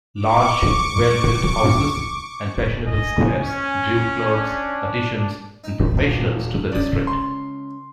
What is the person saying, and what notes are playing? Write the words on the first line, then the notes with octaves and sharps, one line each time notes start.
Large well-built houses and fashionable squares drew clerks, artisans and professionals to the district.
C#6 D6
D#5 G#5
C#4
D4
D#4
D#1 D2
C#2 D5 D#6
C6